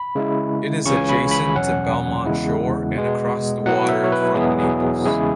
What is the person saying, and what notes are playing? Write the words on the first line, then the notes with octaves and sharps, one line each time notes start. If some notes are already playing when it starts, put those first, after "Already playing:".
It is adjacent to Belmont Shore and across the water from Naples.
Already playing: B5
C#3 G#3 E4
C#2 C#3 E3 C#4 C#6
G#5
B5
B5
E2 B2 F#3 C#4 F#5
E2 C#3 G#3 E4
B2 G#3 B3
B2 F#3 B3 E4 F#5
E5
C#5
B4
E2 B2 F#3 B3 E4 G#4
G#4
E2 C#3 G#3 E4 G#4